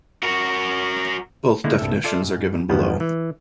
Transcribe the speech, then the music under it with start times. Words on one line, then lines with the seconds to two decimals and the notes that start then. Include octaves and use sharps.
Both definitions are given below.
0.23 F#4 A#4
1.64 D3 D#3 G#3 A#3 D#4 E4
1.78 C2 G2 A4 E5
2.04 F4 A4 D5 E5 F5
2.23 F#2
2.69 E2 G2 B2 F3 B3
3.00 E3